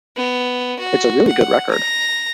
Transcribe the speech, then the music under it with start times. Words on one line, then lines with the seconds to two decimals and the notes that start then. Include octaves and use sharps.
It's a really good record.
0.17 B3
0.79 F#4
1.28 F#5
1.71 A#5